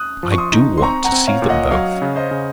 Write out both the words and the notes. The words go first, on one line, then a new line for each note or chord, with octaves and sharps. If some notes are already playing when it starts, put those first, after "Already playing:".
"I do want to see them both."
Already playing: D#6 F#6
F3
C#6
C6 D#6
D#4
C6
C4 A#5 C#6
F#5 A#5
C4
C#5 F5
A#2
D#5 F#5
F#3 C#5 F5
C#3
C5 D#5
C#3